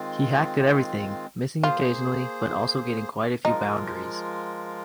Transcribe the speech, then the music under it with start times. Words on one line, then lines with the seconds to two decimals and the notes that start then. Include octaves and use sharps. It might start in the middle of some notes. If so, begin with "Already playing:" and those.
He hacked at everything, missing occasionally, but also getting quite a few boundaries.
Already playing: D#3 G#3 C4 F4
1.63 A#3 F4 G#4 C5
3.45 F3 G#3 D#4 F4 A#4